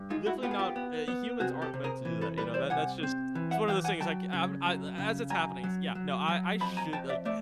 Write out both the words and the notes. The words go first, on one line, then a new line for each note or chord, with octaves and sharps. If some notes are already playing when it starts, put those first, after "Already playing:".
Definitely not uh, humans aren't meant to do that, you know? That that's just it's one of those things I can I m I a as it's happening s Yeah, no, I I should like
Already playing: G2
G#3 D#4 F4
E4 F#4
B3 F4 G4
G#4
F4 G4
B3
B3
C3 F#4 G#4
G4 A4
C3
G#4 A#4
E3
A4 B4
G3 A4 B4
C5 D5
C3 F#5 G#5
C4
E3
E5 F#5
E3 F5 G5
F#5 G#5
F#3 G5 A5
C#3
F#2
C#3
F#2 G#5 A#5
F#3
F#3
F#3
F2 A5 B5
G#5 A#5
F2 G5 A5
D5 E5
A3 D5 E5